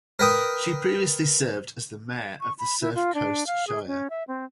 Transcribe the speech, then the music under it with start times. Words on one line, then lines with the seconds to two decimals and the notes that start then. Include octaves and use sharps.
She previously served as the mayor of the Surf Coast Shire.
0.19 A#4 B4 G5 D#6
2.41 C#6
2.59 B5
2.81 E4
2.95 F4
3.15 D4
3.47 F5
3.67 G#4
3.87 C#4
4.10 E5
4.28 C4